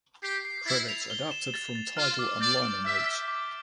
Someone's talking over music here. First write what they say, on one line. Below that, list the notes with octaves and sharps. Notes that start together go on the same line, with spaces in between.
Credits adapted from Tidal and liner notes.
G4 C7
C7
E4 A6
F7
G7
E7
A6
A6
F4 F6
D6
D5 G6
D7
E5 G6
G7
D6